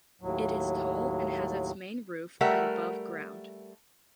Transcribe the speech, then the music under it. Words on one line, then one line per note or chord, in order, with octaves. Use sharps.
It is tall and has its main roof at above ground.
D#2 A2 F#3
G3 A3 A#4 E5 F#5